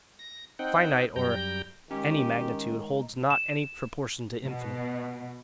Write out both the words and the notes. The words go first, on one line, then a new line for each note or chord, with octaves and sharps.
Finite or any magnitude holds not any proportion to infinite.
A#6
C4 D#4 F#5 G5
F#2 G3 G5 A#5 G6
D#3 G#3 C#4 D#4 G4
E7
B2